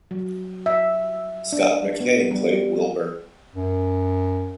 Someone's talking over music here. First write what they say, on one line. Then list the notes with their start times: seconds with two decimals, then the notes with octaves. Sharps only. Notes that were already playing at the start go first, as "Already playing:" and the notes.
Scott McKay played Wilbur.
0.11 F#3
0.66 E5
1.52 D4
2.00 B3
2.31 G3
3.55 F#2